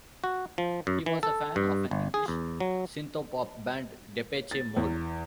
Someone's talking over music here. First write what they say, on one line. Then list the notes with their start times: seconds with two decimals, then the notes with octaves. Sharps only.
He was a fan of an English synthpop band Depeche Mode.
0.24 F#4
0.58 F3
0.87 F#2
1.06 E3
1.23 A4
1.56 G2
1.91 G1
2.14 G#4
2.28 E2
2.60 F#3
4.51 A6
4.77 E2